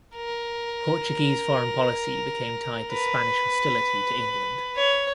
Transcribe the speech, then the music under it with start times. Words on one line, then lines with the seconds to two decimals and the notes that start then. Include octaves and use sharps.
Portuguese foreign policy became tied to Spanish hostility to England.
0.16 A#4
2.93 B4
4.77 C#5